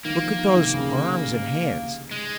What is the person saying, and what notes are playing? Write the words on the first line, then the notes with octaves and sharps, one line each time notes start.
Look at those arms and hands!
D#3 A#3
F3
D#3
C3
C#3
G#3